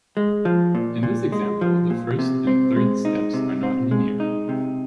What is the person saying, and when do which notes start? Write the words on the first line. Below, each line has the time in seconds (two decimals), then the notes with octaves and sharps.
In this example, the first and third steps are not linear.
0.17 G#3
0.45 F3
0.75 A#2
1.03 A#2
1.32 G#3
1.61 F3
1.90 A#2
2.19 C3
2.47 C4
2.76 G#3
3.05 D#4
3.34 C3
3.63 C4
3.91 G#3
4.20 D#4
4.49 C3